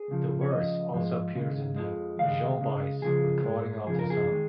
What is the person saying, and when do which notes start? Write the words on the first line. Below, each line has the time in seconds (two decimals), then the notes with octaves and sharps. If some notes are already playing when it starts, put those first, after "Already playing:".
The verse also appears in the Joan Baez recording of the song.
Already playing: G#4
0.08 C#2 C#3 F3
0.41 C#5
0.51 C#2 C#3 F3 D#5
0.93 G#2 F3 G#3
1.35 D#2 C#3 G#3
1.76 F2 F3 G#3
2.19 D#2 C#3 G#3 F5
2.60 C#2 C#3 G#3
3.02 C#2 C#3 F3 G#3 G#4
3.44 G#2 G#3
3.87 F2 C#3 F3 G#4
3.99 A#4
4.10 G#4
4.31 D#3 G#3